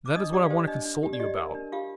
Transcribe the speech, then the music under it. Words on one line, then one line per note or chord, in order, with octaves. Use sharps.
That is what I want to consult you about.
D6
D4 D#5 D#6
G4 D5 D6
F5
G4 C5 G5
D4 D#5
D4
G4
D5
G4 D#5
A#4
D4
F4 G4 F5